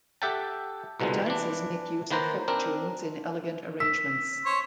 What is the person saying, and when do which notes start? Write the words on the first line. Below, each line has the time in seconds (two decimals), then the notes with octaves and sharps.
The dances make use of folk tunes in elegant arrangements.
0.22 G4 A4 E5 F#5 G5 A5
1.00 C2 B2 D3 F3 G#3
1.26 E3 D4
2.11 D#3 A#3 B4 C5 A#5
2.48 C4 D4 A#4
3.80 E6 B6
4.46 C5 C#5